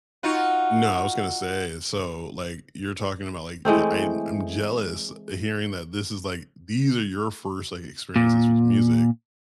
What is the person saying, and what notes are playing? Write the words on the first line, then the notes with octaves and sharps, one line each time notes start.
No, I was gonna say, so, like, you're talking about, like, y I I'm jealous hearing that this is, like these are your first, like, experiences with music.
D#4 F4 F#4
E3 G#3 A3 C4
A#2